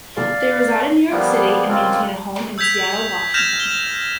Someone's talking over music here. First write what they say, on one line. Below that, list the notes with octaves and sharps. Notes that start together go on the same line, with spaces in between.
They reside in New York City and maintain a home in Seattle, Washington.
D5 F5
F3 G3 A#3 B3
C#3 G#3 A#3 C4 F4
E6 G6 G#6 B6 F7
F6 G6 G#6 A#6 E7 F7
G7